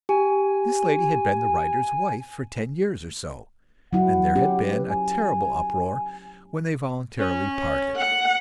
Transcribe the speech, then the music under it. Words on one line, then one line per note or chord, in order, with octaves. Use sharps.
This lady had been the writer's wife for ten years or so, and there had been a terrible uproar when they voluntarily parted.
G4 G#5
F#3 E4 F#5
C#4 G4
B4
G#5
C#4
F#5